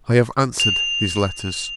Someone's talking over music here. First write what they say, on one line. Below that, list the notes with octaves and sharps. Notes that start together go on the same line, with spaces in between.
I have answered his letters.
F7